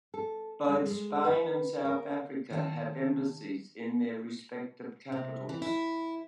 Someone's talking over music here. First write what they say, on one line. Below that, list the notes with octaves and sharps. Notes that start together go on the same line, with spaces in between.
Both Spain and South Africa have embassies in their respective capitals.
A4
G#3
G#3
B4
A#4
D#3 F#5 A5
C3
E3
E4